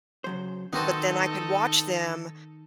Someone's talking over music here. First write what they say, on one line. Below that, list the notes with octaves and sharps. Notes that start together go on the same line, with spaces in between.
But then I could watch them
C#3 F#3 C5
D#3 B3 C4 D#4 F#4 A4